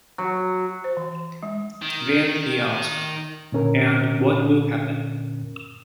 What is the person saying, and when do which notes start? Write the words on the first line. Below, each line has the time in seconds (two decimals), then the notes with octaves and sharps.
Then he asked: "And what will happen?"
0.18 F#3
0.84 C5
0.97 E3
1.43 G#3
1.82 D#3
3.52 A#2 D3 C#4 A#4